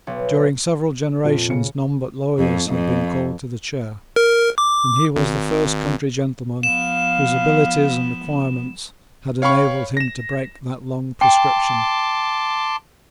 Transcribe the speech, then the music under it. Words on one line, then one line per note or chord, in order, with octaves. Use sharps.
During several generations none but lawyers had been called to the chair; and he was the first country gentleman whose abilities and acquirements had enabled him to break that long prescription.
B1
F2 A#2 F4
C#3 C#7
F2
F2
A#4
D6
G#1
F3 B3 F5 E7
C#5 F5 G5 B5 C#6
A#6 E7
G5 A5 C6 D6